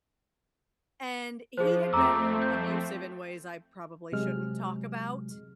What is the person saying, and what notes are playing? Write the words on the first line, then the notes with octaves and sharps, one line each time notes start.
and he had been abusive in ways I probably shouldn't talk about
F3 G#4 C5
F2 A3 C4 A#5 D6 E6
G6
C3 F#3 G#3 F6